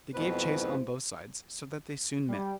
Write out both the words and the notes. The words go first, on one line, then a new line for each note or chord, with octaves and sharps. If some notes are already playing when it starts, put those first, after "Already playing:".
They gave chase on both sides, so that they soon met.
F2 G#2 B2 E4 B4 C5
G3